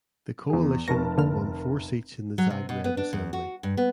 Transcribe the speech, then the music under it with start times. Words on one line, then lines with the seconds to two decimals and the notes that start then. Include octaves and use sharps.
The coalition won four seats in the Zagreb Assembly.
0.50 E2 G#4
0.88 F1 A#4 A5 C#6 A#6
1.18 D3 A#3 F6
2.38 F#3
2.50 C3
2.69 B2
2.84 B3
2.97 D4
3.13 E2
3.33 F#4
3.63 G2
3.77 B3